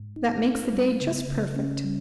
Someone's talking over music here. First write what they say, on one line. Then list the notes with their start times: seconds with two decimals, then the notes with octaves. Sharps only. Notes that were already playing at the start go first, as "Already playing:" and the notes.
"That makes the day just perfect."
Already playing: G#2
0.16 D#4
0.44 B3
0.73 G3
1.01 C#3
1.28 C#3
1.56 C#4
1.84 G3